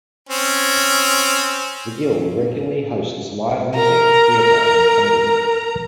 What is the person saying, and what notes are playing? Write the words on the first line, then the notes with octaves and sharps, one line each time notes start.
The Guild regularly hosts live music, theatre and comedy.
C4 C#4
A#4 A#5